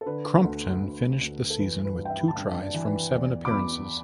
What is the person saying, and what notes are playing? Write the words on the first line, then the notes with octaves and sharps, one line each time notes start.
Crumpton finished the season with two tries from seven appearances.
A4
D3 B4
D2 A4
D2
D2
A4
E3 B4
B4
G2
G5
E5
B5
A5
G2 G5
D5
E3
B4
E2 D5
D6
E2 B5